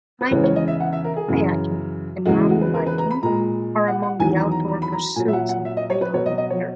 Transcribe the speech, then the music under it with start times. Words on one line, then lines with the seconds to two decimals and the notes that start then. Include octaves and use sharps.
Hiking, kayaking, and mountain biking are among the outdoor pursuits available here.
0.21 B4
0.31 E2 C#3 E3 G#3 C#5
0.44 C#5
0.56 D#5
0.68 E5
0.80 F#5
0.93 E5
1.04 A#4
1.16 G#4
1.28 F#2 C#3 E3
2.26 E2 C#3 E3 G#3 F#4
2.38 E4
2.49 F#4
2.61 B4
2.74 A#4
2.86 B4
2.98 A#5
3.11 B5
3.23 A#2 G#3 A#5
3.88 F#5
4.03 F#5
4.20 E2 D#3 F#3 G#5
4.36 A#5
4.51 A#5
4.68 A#5
4.82 B5
4.93 A#5
5.16 A#2 F#3 G#5
5.28 E5
5.33 F#5
5.49 F#5
5.65 E5
5.77 D#5
5.90 C#5
6.01 B4
6.14 B2 C#5
6.17 F#3
6.26 D#5
6.38 D#5
6.50 C#5